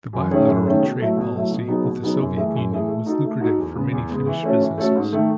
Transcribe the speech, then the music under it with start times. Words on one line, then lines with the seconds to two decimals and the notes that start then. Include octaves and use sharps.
The bilateral trade policy with the Soviet Union was lucrative for many Finnish businesses.
0.13 F#2
0.30 D#3 A3 C#4 G#4
0.47 F#2
0.65 D#3 A3 C#4 G#4
0.81 B2
0.99 F#3 A3 E4
1.17 B2
1.34 F#3 A3 E4
1.51 B2
1.68 F#3 B3 D#4 G#4
1.85 B2
2.03 F#3 B3 D#4 G#4
2.20 F#2
2.36 E3 A3 E4 G#4
2.54 F#2
2.71 E3 A3 E4 G#4
2.88 A3
3.06 D#4 F#4 A4
3.23 A3
3.41 D#4 F#4 A4
3.58 E2
3.75 C#3 G#3 B3
3.92 E2
4.09 C#3 G#3 B3
4.26 E3
4.43 A3 C#4 F#4 A4
4.60 E3
4.78 A3 C#4 F#4 A4
4.95 G#2
5.12 D#3 A3